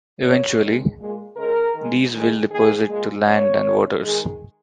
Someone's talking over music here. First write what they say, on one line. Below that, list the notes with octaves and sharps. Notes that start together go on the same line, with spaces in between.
Eventually, these will deposit to land and waters.
C#3 F3 A#3 C#5
D#3 G#3
A#2 G#3
C#3 G#3 A#4
D#3 G#3
D#3 G#3
D#3 A#3 G#4
A#2 G#3
C#3 A#3 C#5
C#3 G#3
D#3 G#3